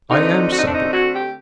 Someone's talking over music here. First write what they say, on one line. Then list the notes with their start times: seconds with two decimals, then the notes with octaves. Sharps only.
'I am settled.
0.10 D3 A3 C4 D#4
0.51 F#4
0.58 D#4
0.65 D4
0.73 D#4
0.91 F#4
1.13 G4